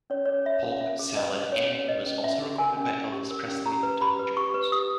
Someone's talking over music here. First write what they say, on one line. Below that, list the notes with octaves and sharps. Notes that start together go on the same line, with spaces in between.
"Polk Salad Annie" was also recorded by Elvis Presley and Tom Jones.
C#4 C#5
G#4 C#5
C#5 E5
C#4
C#4 E5
G#4
B4 D#5
C#4
C#4 C#5
G#4
B4 D#5
C#4
C#4 E5
G4
A#4 G#5
C#4
C#4
G4
A#4
C#4
G4 A#5
B4
G4 B5
B4
G4 C#6
B4
G4 D#6